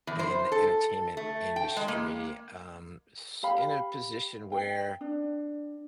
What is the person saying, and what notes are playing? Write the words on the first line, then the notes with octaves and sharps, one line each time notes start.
in the entertainment industry, um, s in a position where
E2
C5
A4
A3
G5
G#3
A#3
G4 F5 B5
G5
D4